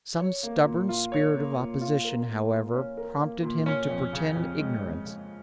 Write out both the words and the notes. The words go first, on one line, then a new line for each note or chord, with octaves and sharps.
Some stubborn spirit of opposition, however, prompted him to pretend ignorance.
C#5
A#3
A#2
F4
C#5
A#3
A#2
F4
A#4
A#3
A#2
C#4
A#4
A#3
A#2
C#4
F2
C#3
F2
G#3
F2
C#3